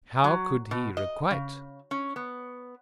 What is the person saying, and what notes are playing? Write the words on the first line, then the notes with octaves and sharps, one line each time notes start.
How could he requite!
F#3
B2
D#5
C#3
C#4
B3